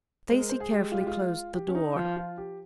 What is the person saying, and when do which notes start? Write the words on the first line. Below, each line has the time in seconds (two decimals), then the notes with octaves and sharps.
Stacey carefully closed the door.
0.29 G#3 C5
0.39 A#4
0.50 C5
0.60 G#4
0.71 G#3 G4
0.92 F4
1.00 G4
1.07 F4
1.54 G4
1.68 C#4
1.75 D#4
1.96 F3 F4
2.17 F4
2.38 G4